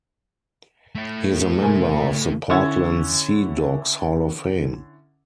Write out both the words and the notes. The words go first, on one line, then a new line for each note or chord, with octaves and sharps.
He is a member of the Portland Sea Dogs Hall of Fame.
A3 E4
C3 A#4 G#5
D3 C#4 E4 C#6 E6 G#6